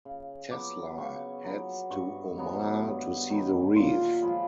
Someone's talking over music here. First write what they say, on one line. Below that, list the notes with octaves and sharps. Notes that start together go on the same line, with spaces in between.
Tesla heads to Omaha to see the Reef.
C#3
F#3 B3 D6
C#3 C#6
F#3 B3
G2 C#6
D#3 F#3 B3
G2
D#3 F#3 B3
A#2 C6
F3 G#3 B5